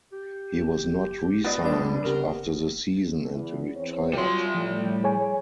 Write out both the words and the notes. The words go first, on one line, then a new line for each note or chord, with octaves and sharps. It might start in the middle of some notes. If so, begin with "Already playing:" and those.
He was not re-signed after the season and retired.
G4
B3 F4 D5 D#5
C3 G3 D4 D5 B5 D#6
C2 C#3 G4 A#4
E2
E2 C4 C#5
F#3 G3 F4 C6
A2 F3
G#4 C#5 G#5